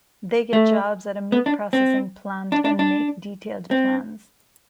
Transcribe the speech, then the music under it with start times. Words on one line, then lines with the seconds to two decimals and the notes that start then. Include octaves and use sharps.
They get jobs at a meat processing plant and make detailed plans.
0.53 A3
1.32 B3
1.46 D4
1.73 C4
2.52 D4
2.65 D4
2.79 D4
3.71 C4